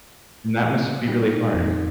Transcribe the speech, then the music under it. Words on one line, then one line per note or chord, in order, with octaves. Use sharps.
and that must be really hard.
G3 D#4
F2